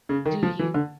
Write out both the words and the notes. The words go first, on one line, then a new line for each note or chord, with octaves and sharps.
Do you?
C#3
D#3
F3
E3
D3